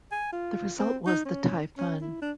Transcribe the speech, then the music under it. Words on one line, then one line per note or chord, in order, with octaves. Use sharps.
The result was the Taifun.
G#5
F4
C4
D#4
C#4
C#4
E4
D4